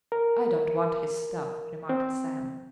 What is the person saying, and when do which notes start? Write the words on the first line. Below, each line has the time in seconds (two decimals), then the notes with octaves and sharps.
"I don't want his stuff," remarked Sam.
0.12 A#4
1.89 C4